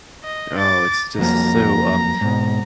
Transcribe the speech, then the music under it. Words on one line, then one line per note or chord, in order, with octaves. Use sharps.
Oh, it's just so, um
D#5
D6 A6
F2 F#3 A#3 A#5
G#2 B2